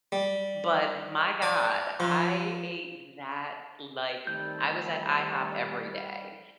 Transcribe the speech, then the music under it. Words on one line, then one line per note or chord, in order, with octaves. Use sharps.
but my god, I ate that, like I was at IHOP every day,
G3
D5 G#5
F3
D#3 G3 A3 C4 A4 G6